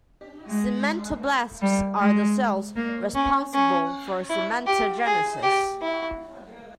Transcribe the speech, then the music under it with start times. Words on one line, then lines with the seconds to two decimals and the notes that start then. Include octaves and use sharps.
Cementoblasts are the cells responsible for cementogenesis.
0.47 G#3
1.62 G3
1.99 G#3
2.76 A#3
3.14 C#4
3.53 C#4
4.29 E4
4.66 G4
5.06 G#4
5.42 G4
5.81 E4